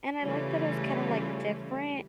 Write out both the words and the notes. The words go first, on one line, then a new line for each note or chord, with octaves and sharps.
and I like that it was kinda, like, different,
C#3 E3 G3 A3 C#4 F4